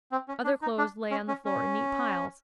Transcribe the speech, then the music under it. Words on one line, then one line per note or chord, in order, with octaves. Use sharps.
Other clothes lay on the floor in neat piles.
C4
C#4
D4
D#4
D4
C#4
C#4
C#4